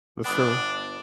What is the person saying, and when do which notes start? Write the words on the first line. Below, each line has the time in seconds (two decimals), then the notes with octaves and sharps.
that's true.
0.25 G1 B3 D4